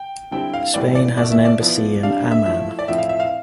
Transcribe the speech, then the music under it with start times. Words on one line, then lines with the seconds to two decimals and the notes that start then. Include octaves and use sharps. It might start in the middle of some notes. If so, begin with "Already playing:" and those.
Spain has an embassy in Amman.
Already playing: G5
0.31 D3 G3 C4 E4 G5
0.54 F5
0.74 A2 E3 G3 C4 E4 D5
0.95 D5
1.17 B2 A3 E4 D5
1.32 E5
1.45 D5
1.61 F3 B3 E4
2.03 C3 G3 D4 F5
2.31 E5
2.46 F3 A3 E4 E5
2.79 D5
2.88 A2 F3 C4 E4 E5
2.98 F5
3.09 E5
3.20 F5